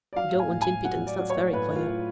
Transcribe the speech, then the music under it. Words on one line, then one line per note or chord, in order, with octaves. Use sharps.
You don't want impudence, that's very clear.'
D5
F#3 F5
A2
G#5
A2
G#5
A2
F#3 F#5
F#3
D5
F#3
C#5
A2
A2 B4
A2
F4
A2